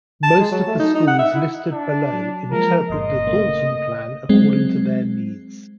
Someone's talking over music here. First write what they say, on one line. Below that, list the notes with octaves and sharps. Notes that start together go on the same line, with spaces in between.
Most of the schools listed below interpret the Dalton Plan according to their needs.
A5
G#3
F#3
A3
D#4
D#4
F#5
E5
E4
D4
F#3
F3 G#3 A#3 A#4
G1 A#2 D#5 C6
C#3 A3 A#3
F#3 G#3 C4